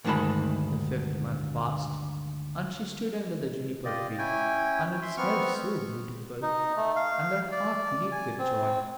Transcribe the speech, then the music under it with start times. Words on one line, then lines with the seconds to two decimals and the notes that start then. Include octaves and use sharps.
The fifth month passed, and she stood under the Juniper-tree, and it smelt so beautiful, and her heart leaped with joy.
0.05 D2 G2 D#3 G#3 A5 B5
3.85 F4 G4 D5 D#5
4.18 C#4 E4 G5 G#5
5.02 E5 C6
5.17 B3 C4 C#6 F6
6.42 D#4
6.77 A3
6.96 F5
7.52 D5
8.12 G#5
8.39 C4